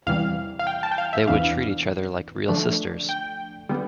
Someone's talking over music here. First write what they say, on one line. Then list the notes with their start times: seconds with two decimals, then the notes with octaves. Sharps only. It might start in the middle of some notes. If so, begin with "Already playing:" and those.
They would treat each other like real sisters.
0.07 E2 C3 E3 G3 F5
0.59 F5
0.67 G5
0.83 A5
0.92 G5
0.98 F5
1.13 E5
1.28 E2 C3 E3 B3 D4 F5
2.48 D3 F3 A3 D4
3.09 G5
3.69 D3 G3 B3